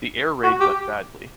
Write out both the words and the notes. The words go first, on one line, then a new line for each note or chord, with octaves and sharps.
The air raid went badly.
F#4
G4